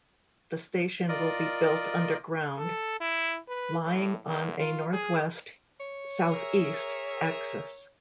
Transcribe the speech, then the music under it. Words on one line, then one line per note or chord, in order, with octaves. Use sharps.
The station will be built underground, lying on a northwest-southeast axis.
F4 A#4 D5 D#5
A4
E4
B4
A2
E2
F4
G#4
C#5
G#4 A#4 E5